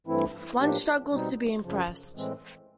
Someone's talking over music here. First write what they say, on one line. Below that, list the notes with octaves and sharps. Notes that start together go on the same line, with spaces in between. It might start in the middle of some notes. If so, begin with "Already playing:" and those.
One struggles to be impressed.
G2 E3 A3 C4 E4
A2 F3 A#3 D4 G4
B2 G3 C4 D#4
F#2 C#3 F3
A2 E3 G#3 C4